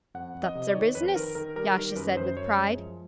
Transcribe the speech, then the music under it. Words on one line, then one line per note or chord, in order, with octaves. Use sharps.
"That's our business," Yasha said with pride.
F2 F#5
F2
D#5
C3
D5
D#3 C#5
F2 B4
D#3 A#4
D#3 A#4
G3 A#4
D#3 A#4
F#2 B4
B4
F#2 C5
F#2 C#5
G#3
F3